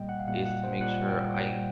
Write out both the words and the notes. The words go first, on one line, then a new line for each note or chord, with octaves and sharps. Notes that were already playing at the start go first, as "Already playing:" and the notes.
is to make sure I
Already playing: A#2 G3 A#3 D#5 G5
F#5
F5
A#2 G3 A#3 F#5
F#5
C5
A#2 G3 A#3 F#5
G5
A#2 G3 A#3 G5